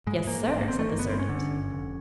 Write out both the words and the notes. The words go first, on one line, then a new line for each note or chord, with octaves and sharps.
"Yes, sir," said the servant.
G#2 G#3
G#2 A#3
A1 C4
A#3
A1 C4
A3
G1 A#3
B3
G2 C4
C#4
D3
G1
F1